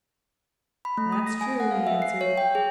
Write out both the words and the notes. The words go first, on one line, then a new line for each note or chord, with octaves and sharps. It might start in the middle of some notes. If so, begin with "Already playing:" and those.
"That's true," he answered.
B5
A3
D#6
A#6
G#5
F#5
F5
E5
C7
C#5
G5
G#4